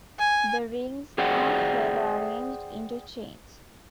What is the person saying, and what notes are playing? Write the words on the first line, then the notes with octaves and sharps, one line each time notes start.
The rings are further arranged into chains.
G#5
G#4 C5 D5 F#5 G5